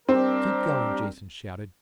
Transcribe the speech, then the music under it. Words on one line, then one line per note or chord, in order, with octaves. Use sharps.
"Keep going!" Jason shouted.
G3 C4 D4 G4 A#4